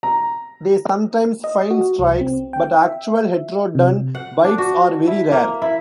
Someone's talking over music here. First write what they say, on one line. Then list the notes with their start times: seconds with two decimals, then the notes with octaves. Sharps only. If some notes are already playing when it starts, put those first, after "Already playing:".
They sometimes feign strikes, but actual "Heterodon" bites are very rare.
0.03 A#5
1.44 D#5
1.71 F#4
1.99 C2
2.21 C4
2.53 G5
2.82 E5
3.75 C3
4.15 F#5
4.44 D4
4.58 F#4
5.07 E4
5.32 A#3
5.62 E4